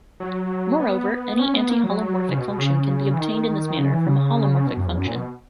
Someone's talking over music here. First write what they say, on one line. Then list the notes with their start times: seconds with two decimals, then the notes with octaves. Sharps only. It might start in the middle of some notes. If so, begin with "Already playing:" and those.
Moreover, any antiholomorphic function can be obtained in this manner from a holomorphic function.
0.20 F#3
0.80 B3
1.39 C#4
1.54 B3
1.69 A#3
1.84 F#3
2.29 C#3
2.38 B2
2.48 B2
2.58 C#3
3.13 E3
3.18 D#3
3.77 C#3
3.92 E3
4.06 C#3
4.67 B2
4.77 F#2
4.87 E2
4.97 F#2
5.06 A#2
5.15 B2